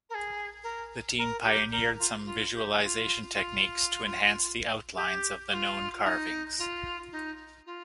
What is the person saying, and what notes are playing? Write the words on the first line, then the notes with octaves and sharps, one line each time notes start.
The team pioneered some visualisation techniques to enhance the outlines of the known carvings.
A#4
G#4
A#4
A#4
G4
A#4
F4
F4
G4
G4
F4
F4
G4
G4
F4
D#4
F4
D#4
F4